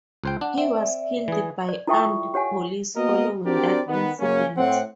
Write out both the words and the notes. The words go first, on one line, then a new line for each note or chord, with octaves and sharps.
He was killed by armed police following that incident.
C#2 C5 G5
D4 F#5
C4 D5 E5
E3 G#4
D5
E4 F4 A4 E5 G5 C#6
G4 C#5 F#5 G#5
A#3 B3 F#4 A#4 D#5
C4 D4 F#4 G4 A#4 D5
D#3 B3
F#2 C#3 A#3 C#4
A2 C4 F#5